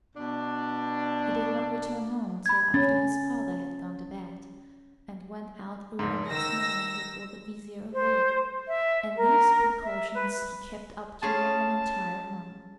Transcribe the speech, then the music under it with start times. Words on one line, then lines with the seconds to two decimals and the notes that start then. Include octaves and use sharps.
He did not return home till after his father had gone to bed, and went out early next morning before the vizir awoke, and these precautions he kept up during an entire month.
0.15 B2 D4
2.46 B5 G#6
2.74 C#4 A6
5.99 F1 G#2
6.31 D#3 E6 A#6
7.93 C5
8.68 E5
9.16 A#4
9.83 E5
10.14 B4
11.23 C#4 F4 G#4 A5